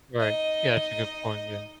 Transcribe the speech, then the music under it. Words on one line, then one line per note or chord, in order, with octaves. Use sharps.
Right. Yeah, that's a good point, yeah.
D#4 D#5